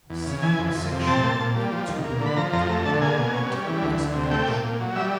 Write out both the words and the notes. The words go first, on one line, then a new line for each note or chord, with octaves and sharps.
See the section on Victoria for a more detailed explanation.
E2
C#3
E3 G#5
F2
F2
C3
C4 A5
A#2
A#2
G3
F3
D#2
A#3
D3
B5
F3 A#5
F2 A#5
A3 A#5
D3 A5
A#3 G#5
B2
C#4
G3
E3
D2
D2
C3
A3 G5
A#2
A#2
F#3
G3 E5